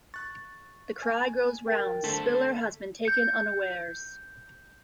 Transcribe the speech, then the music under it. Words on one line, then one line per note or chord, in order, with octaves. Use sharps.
The cry goes round: 'Spiller has been taken unawares'.
C#6 F#6 A6
G#5
A#4 G5 A6
D3 A3 A4 C5 A5 B6
G6 C#7